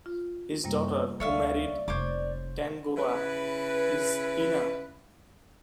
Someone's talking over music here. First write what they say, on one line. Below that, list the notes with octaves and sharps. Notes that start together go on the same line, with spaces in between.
His daughter, who married Tangaroa, is Ina.
F4
F#2 C3 G3 A#3
D2 A4 C#5 D5 E5 F5
F1 C5 C#5 D6
C#3 E4 B4